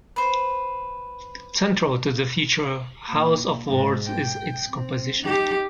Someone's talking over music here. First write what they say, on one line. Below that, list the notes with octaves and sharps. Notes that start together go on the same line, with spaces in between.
Central to the future House of Lords is its composition.
B4 C5
A#2
G#2 G#3
G5
C4
D#4 G4